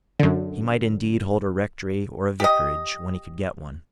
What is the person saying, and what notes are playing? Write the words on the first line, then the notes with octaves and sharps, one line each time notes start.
He might indeed hold a rectory or a vicarage, when he could get one.
F#2 D3
G4 D#5